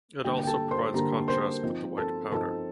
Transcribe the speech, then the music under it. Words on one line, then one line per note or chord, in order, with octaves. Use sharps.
It also provides contrast with the white powder.
D3 G3 A#3 G4 G5
G5
A4 A5
C5 C6
D3 G3 A#3 A#4 A#5
C5 C6
F3 C4 D#4
A4 A5
F3 C4 D#4 A4 A5